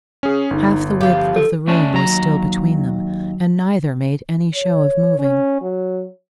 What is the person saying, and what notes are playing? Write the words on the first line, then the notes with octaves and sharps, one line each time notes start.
Half the width of the room was still between them, and neither made any show of moving.
C#4 G#4
G1 D#4
F3 G4 F5
A4
A3 C#4 D4
D#2 F#3 A#5
C#5
C#4
F#3